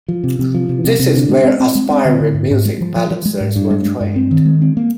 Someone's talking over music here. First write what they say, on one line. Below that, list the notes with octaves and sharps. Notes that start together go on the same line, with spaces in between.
This is where aspiring music balancers were trained.
F3
C3
C3
F3
C3
C3
C3
D3
G#3
C4
C4
G#3
C4
D3
D3
G#2
G#2
G#3
F3
F3
F3
G#3
G#2
G2
G#3
G#3
G2
C4
D#3
G#3
C4
A#3